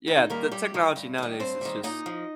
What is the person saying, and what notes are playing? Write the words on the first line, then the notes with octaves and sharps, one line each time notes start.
Yeah, the technology, nowadays, is just
G2 D#3 D#4
D#3 G3 A#3 A#4
G2 G3 G4
D#3 G3
G2
D#3 G3
G2 C4 C5
D#3 G3
A#2 D#4 D#5
F3